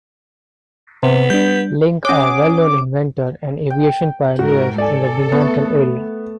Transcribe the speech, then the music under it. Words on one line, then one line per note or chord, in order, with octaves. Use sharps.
Link a well-known inventor and aviation pioneer in the Binghamton area.
C3 B3
G3 D4 G6
C#4 G#4 C#5 D6
G5
G#2 F#4 A#4
A4 D5 G#5
A3 B3